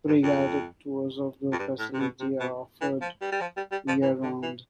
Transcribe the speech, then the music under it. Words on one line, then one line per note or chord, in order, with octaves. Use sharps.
Free guided tours of the facility are offered year-round.
G2
F2
F2
G2
A2
C3
B2
C3
B2
E3
F3
G3
G3
F3
G3
G3
F3
E3
D3
E3